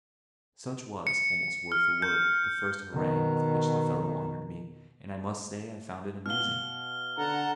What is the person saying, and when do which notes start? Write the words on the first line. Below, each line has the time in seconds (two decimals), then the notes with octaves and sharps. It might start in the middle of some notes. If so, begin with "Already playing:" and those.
Such was, almost word for word, the first harangue with which the fellow honoured me, and I must say I found it amusing.
1.07 C#7
1.72 F6
2.02 G6
2.93 B2 D#3
6.26 B2 F5 F6 G7
7.18 D3 F#5 A5 A#5